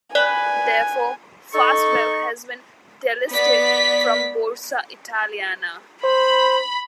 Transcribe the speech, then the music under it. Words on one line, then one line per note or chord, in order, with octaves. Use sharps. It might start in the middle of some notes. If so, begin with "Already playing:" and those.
Therefore Fastweb has been delisted from Borsa Italiana.
B4 D5 G#5
D#4 A4 C#6
B3 D5 B6
C5 B5